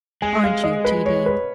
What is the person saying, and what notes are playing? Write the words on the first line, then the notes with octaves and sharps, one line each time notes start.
Aren't you, T. D.?
G#3 G#5
F5
D#5
B4
C#5
B4